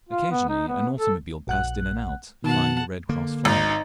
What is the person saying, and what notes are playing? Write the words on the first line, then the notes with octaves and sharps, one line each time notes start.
Occasionally an automobile passed in and out, flying the Red Cross flag.
F4
B3
D#4
B3
A4
A#1 F#5 F#6
B2 D#3 F#5 A5
D3 A#3
G#1 D#4